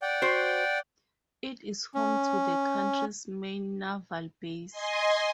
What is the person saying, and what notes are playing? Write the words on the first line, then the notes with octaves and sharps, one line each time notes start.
It is home to the country's main naval base.
D5 F#5 G5
F#4 C5
C#4
D#5 G#5 C6